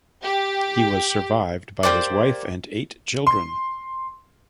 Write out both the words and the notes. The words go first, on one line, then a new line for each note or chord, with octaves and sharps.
He was survived by his wife and eight children.
G4
A#3 G4 C5 D5
C6